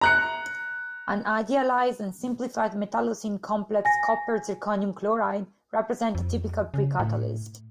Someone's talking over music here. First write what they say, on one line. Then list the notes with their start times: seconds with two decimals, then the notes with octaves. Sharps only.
An idealized and simplified metallocene complex CpZrCl represents a typical precatalyst.
0.01 A#5 F#6 C#7
3.85 G#5 A#6
6.15 F2
6.74 C#3
7.00 A2